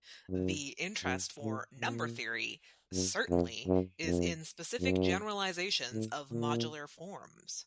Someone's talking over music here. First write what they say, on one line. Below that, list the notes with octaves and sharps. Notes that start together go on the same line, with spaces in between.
The interest for number theory, certainly, is in specific generalisations of modular forms.
F#2
F#2
A2
A#2
F#2
F2
F#2
F2
F#2
A2
A#2